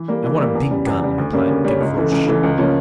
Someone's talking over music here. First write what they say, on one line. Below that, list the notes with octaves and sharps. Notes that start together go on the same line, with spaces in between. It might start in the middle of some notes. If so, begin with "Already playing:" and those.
"I want a big gun," replied Gavroche.
Already playing: E3
G3 A#3
E3
G3 A#3
E2
C#3 G3
E2
C#3 G3
D2
C#3 G3 A#3 C#4
D2
C#3 G3 A#3 C#4
C#2
C#3 E3 A3
C#2
C#3 E3 A3
C#2
C#3 F3 A#3 C#4